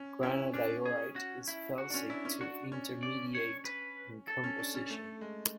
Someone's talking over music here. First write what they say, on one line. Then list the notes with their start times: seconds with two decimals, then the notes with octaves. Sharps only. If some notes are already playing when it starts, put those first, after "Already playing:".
Granodiorite is felsic to intermediate in composition.
Already playing: C#4
0.23 C#4 E4
0.54 C#4 D4
0.86 G#4
1.16 F#4
1.48 E4
1.78 F#4
1.90 D4
1.94 C#4
2.10 D4 E4
2.25 C#4
2.41 D4 F#4
2.72 C#4
3.03 D5
3.35 C#5
3.65 B4
4.28 A4
4.44 C#4
4.59 D4
4.75 C#4
4.90 A3
5.21 G#3